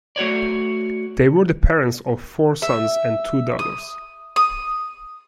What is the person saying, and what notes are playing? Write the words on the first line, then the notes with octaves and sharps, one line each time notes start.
They were the parents of four sons and two daughters.
A3 F#4 C#5 D5
E5
D#6
D#6